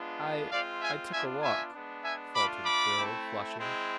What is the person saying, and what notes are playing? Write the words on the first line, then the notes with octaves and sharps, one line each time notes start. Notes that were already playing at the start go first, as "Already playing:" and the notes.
"I--I took a walk," faltered Phil, flushing.
Already playing: G#3 B3 D4 F4
G#3 C4 F4 D5 F5
E5 G#5
B3 D4 F4 E5 G#5
E5 G#5
G#3 B3 D4
E5 G#5
A3 D4 F4 B5 D6
B5 D6
A3 C4 E4
G#3 C4 E4